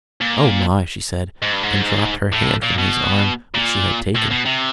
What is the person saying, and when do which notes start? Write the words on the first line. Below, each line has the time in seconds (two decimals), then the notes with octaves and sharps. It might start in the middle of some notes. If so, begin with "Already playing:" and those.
"Oh, my!" she said, and dropped her hand from his arm, which she had taken.
0.21 A#2
1.42 G#2
1.52 G2
1.63 G#2
2.33 A2
2.63 A#2
2.78 B2
3.54 A#2
4.15 A2
4.31 B2
4.45 C3